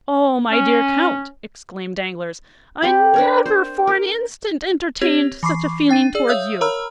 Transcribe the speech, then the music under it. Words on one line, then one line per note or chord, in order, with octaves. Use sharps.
"Oh, my dear count," exclaimed Danglars, "I never for an instant entertained such a feeling towards you."
C#4
C4 G4 B5
D4 A#4 C#5
C5
A#4
C4 G4 C#5 G#6
E3 B5 C#6 D6 C7
D4 G5 A6 D#7
G#4 D5 E6
C#5 E5 F5 D#6 E6 G6
A#4 C#5 A#5 B5 E6 F6